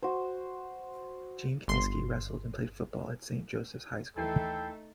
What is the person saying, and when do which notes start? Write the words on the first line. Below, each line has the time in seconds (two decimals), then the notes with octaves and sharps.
Gene Kiniski wrestled and played football at Saint Joseph's High School.
0.03 F#4 C5
1.68 G1 C6
4.16 D#2 E3 A3 D#4 E4 A4 G5 C7